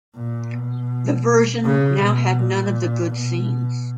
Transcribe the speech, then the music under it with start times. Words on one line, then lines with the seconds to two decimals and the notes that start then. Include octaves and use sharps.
The version now had none of the good scenes.
0.16 A#2
0.53 B2
1.65 C#3
2.02 B2
2.40 A#2
3.14 B2